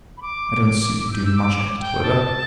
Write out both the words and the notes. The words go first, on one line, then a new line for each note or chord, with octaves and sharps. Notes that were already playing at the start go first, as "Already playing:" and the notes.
I don't see you do much at it, however.
B5
D6
E6
G6
E6
D6
G5
A5